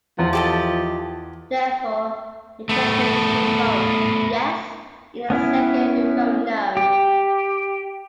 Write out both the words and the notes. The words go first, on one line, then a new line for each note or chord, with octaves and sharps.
Therefore, it campaigned to vote "yes" in the second referendum.
E2 F3
G4 A4 D#5
A3 B3
B3 C#4 E4
G4